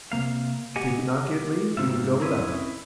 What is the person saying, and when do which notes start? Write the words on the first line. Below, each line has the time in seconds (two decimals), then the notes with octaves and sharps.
If he could not get leave he would go without it.
0.12 C3 A#3 F5
0.76 G4 D#5 F#5 G#5
1.77 G#2 C3 C4 F4 E5
2.20 C4 C#4 E4 B4 D#5